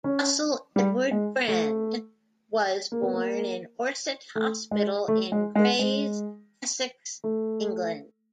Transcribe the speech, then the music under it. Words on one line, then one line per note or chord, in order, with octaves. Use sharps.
Russell Edward Brand was born in Orsett Hospital in Grays, Essex, England.
C#4
G3
G#3
A3
A#3
B3
A#3
A3
G#3
A3
G#3
G#3
G#3
A3